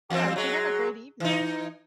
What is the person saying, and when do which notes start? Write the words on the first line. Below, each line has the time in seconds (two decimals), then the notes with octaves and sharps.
All right, you have a great evening.
0.10 E2 C4
0.36 F#3 G#3
1.20 E3 D#4